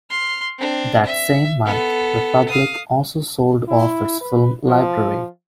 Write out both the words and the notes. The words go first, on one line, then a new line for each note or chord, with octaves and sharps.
That same month, Republic also sold off its film library.
C6 F6
C4 D4
E5
B3 A4
F5 D#6
E4
B4
F3